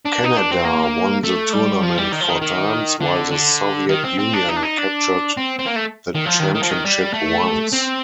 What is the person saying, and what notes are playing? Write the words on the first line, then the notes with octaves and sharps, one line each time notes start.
Canada won the tournament four times, while the Soviet Union captured the championship once.
D4
D#4
D4
C4
A#3
A3
G3
F3
G3
D#3
F3
D#3
D#3
D3
D3
D#3
C4
C4
D4
D#4
D4
D#4
D4
C4
C4
A#3
A3
D#3
F3
D#3
D#3
F3
D#3
G3
A3
C4